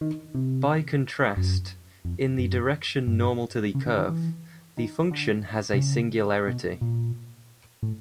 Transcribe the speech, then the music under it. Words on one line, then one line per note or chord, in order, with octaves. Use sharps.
By contrast, in the direction normal to the curve, the function has a singularity.
D#3
C3
F#2
F2
F#2
G2
C#3
D3
D#3
E3
D#3
D3
C3
C#3
B2
A#2
A2